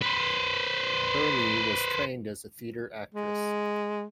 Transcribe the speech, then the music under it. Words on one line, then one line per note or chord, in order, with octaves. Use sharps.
Herlie was trained as a theatre actress.
B4 C5
G#3